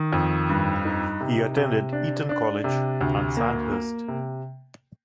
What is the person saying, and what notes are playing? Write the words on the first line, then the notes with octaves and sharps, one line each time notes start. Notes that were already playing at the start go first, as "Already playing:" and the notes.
He attended Eton College and Sandhurst.
Already playing: D#3
F2
G2
D#4
C3
C3
D4
D4
C3
D2
A#3
A#3
C3